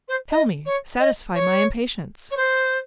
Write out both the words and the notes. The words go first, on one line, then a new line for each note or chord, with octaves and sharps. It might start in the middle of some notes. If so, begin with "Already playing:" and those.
"Tell me; satisfy my impatience."
C5
D#5
C#5
D#5
C#5
C#5
C5